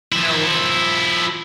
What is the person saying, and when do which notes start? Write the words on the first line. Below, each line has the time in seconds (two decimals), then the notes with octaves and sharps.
You know
0.12 F3 E4